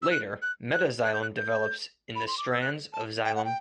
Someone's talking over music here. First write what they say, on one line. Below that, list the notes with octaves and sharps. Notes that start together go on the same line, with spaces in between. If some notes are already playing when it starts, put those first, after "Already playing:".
Later, 'metaxylem' develops in the strands of xylem.
E6
F#6
F#6
F#6
F#6
G6
F#6
G6
B5
C6
D6
E6
F#6
A5
G5
F#5
G5